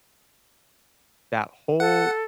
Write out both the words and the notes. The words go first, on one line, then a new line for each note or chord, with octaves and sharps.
That whole
A4 F#5